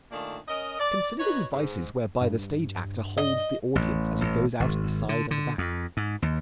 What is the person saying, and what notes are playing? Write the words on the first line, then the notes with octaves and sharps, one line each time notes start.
Consider the devices whereby the stage actor holds the audience as he goes out at the side and back.
A#2 D#3 A3 A#3 D4
C#4 A#4 D#5
D5
D#4 F#4 B4 C#5
G#2
G2
D#5
A1
A1
G#1
D3
D3
F2
G#2
D#2